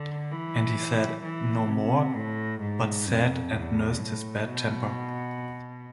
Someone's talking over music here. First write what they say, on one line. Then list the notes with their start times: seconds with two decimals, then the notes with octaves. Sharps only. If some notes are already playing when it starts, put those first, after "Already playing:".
And he said no more, but sat and nursed his bad temper.
Already playing: D3
0.31 E3
1.23 E3
1.69 C3
2.15 A2
2.61 G#2
3.07 F2
3.53 E2
3.99 A2
4.45 B2